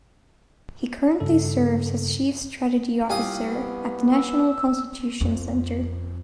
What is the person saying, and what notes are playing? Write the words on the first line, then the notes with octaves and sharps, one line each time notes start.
He currently serves as Chief Strategy Officer at the National Constitution Center.
G2 C#3 A4
C2 F4 G4 F5 G#5 D#6
B3
E6
F2